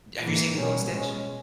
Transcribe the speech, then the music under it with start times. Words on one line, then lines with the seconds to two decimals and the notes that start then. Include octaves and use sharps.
D Have you seen Lilo and Stitch?
0.21 G#2 E3 A#3
0.55 B2 G3 C#4
0.88 B2 G#3 C#4